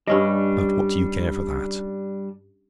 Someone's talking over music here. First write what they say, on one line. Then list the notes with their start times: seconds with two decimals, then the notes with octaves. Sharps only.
But what do you care for that?
0.07 G2 G3 C#4 D4 D#5